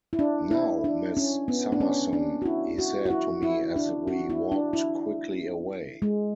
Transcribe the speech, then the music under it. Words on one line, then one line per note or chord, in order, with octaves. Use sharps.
"Now, Miss Summerson," he said to me as we walked quickly away.
E4
D4
E4
D4
C#4
B3
D4
C#4
D4
F#4
E4
F#4
F#4
E4
E4
D4
F#4
E4
D4
E4
G#3